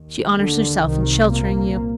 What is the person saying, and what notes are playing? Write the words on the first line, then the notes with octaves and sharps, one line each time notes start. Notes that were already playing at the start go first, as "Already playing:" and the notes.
She honors herself in sheltering you.
Already playing: D#2
D3
C2 C3 D#3
A#2 A#3